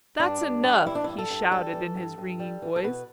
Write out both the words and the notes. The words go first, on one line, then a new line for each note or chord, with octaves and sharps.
"That's enough!" he shouted in his ringing voice.
G2 D4
G2
G3
E3 E4
D4
G2 E4
A4
G2
G3 A4
E3
G2
G2
G3
E3
A4
B2 B4